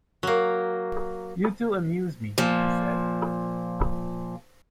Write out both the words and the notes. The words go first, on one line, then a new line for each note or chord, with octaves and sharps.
"You two amuse me," he said.
F#3 A#3
A#2 F3